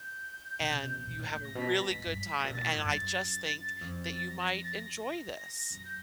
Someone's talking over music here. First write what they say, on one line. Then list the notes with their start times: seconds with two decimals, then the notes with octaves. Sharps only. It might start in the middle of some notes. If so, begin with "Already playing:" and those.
and you have a really good time, and I just think that you might enjoy this,"
Already playing: G6
0.60 C3
0.71 C3
0.84 B2
0.96 B2
1.07 A#2
1.19 A2
1.30 A2
1.42 A2 A#6
1.55 B2 B6
1.71 A6
1.75 G#2 A#6
1.91 G#2 B6
2.06 G2
2.37 A2 A#6
2.44 A#2
2.50 B2 A6
2.61 A2
2.70 G2 G#6
2.85 F#2 A6
3.81 F2
4.04 A6
4.28 A#6
4.40 A#6
4.52 A#6
4.64 A6
4.75 A#6
5.71 F#2 A#6
5.85 G6